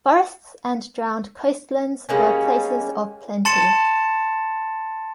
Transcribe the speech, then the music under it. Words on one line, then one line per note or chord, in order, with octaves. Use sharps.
Forests and drowned coastlands were places of plenty.
G3 G#3 A#3 C#4
A5 C6 A6 C#7 E7